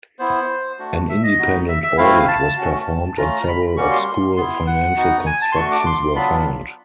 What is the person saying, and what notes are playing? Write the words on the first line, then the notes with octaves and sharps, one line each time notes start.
An independent audit was performed and several obscure financial constructions were found.
B3 E4 C5
A3 D4 F#4
E5
D#5
B3 D#4 F#4
E5
E5
A3 C4 E4 F5
A5
A3 C#4 F#4
A3 C#4 F4 A#5
B5
G3 A#3 C#4 F#4 C#6
C6
B3 E4 C6
F#5
B3 D#4 F#4
G#5
A5
C6
A3 D4 F#4 C#6
D6
C6
F#3 B3 D4 F4 B5